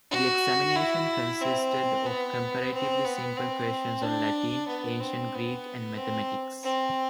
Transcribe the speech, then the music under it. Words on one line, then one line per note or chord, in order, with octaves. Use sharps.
The examination consisted of comparatively simple questions on Latin, Ancient Greek, and mathematics.
F#4
E4
C4
B3
C4
B3
C4
D4
B3
C4
B3
C4
C4